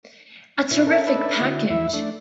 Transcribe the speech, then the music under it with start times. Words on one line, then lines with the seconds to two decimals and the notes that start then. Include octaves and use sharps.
A terrific package!
0.71 B2 E4
0.87 C#4 A4 A#4
1.07 D4 D#4 A4 B4 E5
1.40 D3 E4 F#4
1.70 E2 E4 E5
1.93 A3 D4